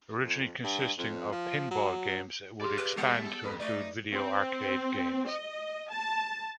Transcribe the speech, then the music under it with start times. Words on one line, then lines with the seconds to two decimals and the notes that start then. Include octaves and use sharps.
Originally consisting of pinball games, it would expand to include video arcade games.
0.24 F2
0.64 G2
0.98 F2
1.32 F3
1.71 F#3
2.61 G4 G#4 D5 F5 C6
2.78 B4
2.97 G3 A3 B3
3.26 A4
3.44 F2 A4 B4
3.60 A3 D#4 D5
4.13 C4
5.28 D#5
5.90 A5